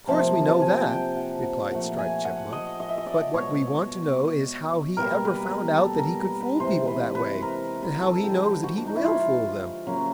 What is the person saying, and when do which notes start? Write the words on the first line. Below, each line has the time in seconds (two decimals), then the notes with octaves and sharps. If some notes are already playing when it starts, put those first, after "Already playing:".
"Of course we know that," replied Striped Chipmunk, "but what we want to know is how he ever found out that he could fool people that way, and how he knows that he will fool them."
0.07 C3 F3 A#3 A5
0.49 A5
0.62 G#5
0.75 A5
0.89 G5
1.17 F#5
1.43 F#5
1.71 A#2 F3 A3 F#5
1.99 G#5
2.25 F#5
2.53 D#5
2.80 D#5
2.89 E5
2.98 D#5
3.06 D5
3.34 B2 G#3 C#5
4.97 B2 G3 A#3 A#4
5.25 B4
5.51 A#4
5.78 A4
5.99 A#4
6.20 B4
6.40 B4
6.60 C3 E3 G#3 C5
6.88 B4
7.15 B4
7.42 A#4
7.83 B4
8.03 A4
8.23 D3 F3 G#3 G4
8.64 F#4
8.78 D4
8.87 D#4
8.96 E4
9.05 F4
9.87 C#3 F#3 A#3